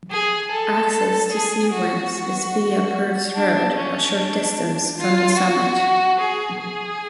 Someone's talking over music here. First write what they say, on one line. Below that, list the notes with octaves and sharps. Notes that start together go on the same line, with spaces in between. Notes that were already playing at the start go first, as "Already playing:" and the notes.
Access to Sea Winds is via Purves Road a short distance from the summit.
G#4
A4
G#4
F#4
F#4
D4
C#4
D4
F4
F#4
G#4
G#4